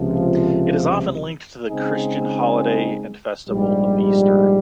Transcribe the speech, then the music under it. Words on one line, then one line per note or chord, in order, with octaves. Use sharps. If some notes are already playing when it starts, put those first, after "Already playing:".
It is often linked to the Christian holiday and festival of Easter.
Already playing: C#2 C3 F3
C#3 G#3 C4 D#4 G#4
A#1 G#2 G3